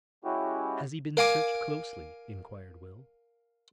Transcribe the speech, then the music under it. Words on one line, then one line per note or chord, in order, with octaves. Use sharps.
"Has he been searched closely?" enquired Will.
G#3 C#4 E4 F#4 G4
A#4 F5 G#5 D6